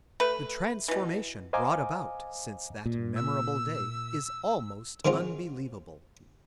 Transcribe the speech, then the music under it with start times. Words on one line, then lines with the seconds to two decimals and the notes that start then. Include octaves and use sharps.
The transformation brought about since that memorable day is almost unbelievable.
0.20 A3 B4
0.88 B2 E3
1.53 C5 D#5 F5 G#5 A#5 D6
2.86 A#2
3.16 E6
5.05 D#3 G#3 C4 F4